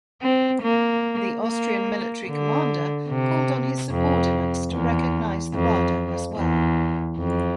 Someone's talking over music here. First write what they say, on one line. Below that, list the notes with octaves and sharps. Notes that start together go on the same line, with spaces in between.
The Austrian military commander called on his subordinates to recognize the Rada as well.
C4
A#3
A#3
D3
C3
F2
E2
F2
E2
F2